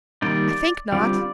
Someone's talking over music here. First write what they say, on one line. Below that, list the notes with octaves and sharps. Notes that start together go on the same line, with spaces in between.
"I think not."
D#3 G3 A#3 D#4 D5
D3 G3 C4 F4 D5